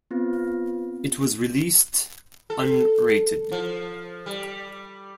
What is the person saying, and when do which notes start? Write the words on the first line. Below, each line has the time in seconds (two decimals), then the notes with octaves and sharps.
It was released unrated.
0.11 B3 C4 F4
2.50 A4
3.52 F3
4.26 G3